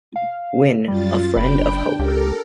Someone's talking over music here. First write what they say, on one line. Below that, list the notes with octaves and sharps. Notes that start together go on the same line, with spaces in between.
Wynne, a friend of Hoke.
F5
F#2 G3 F4 A6
F#1 D4 G5 B5
C#2 G4 A4 A#4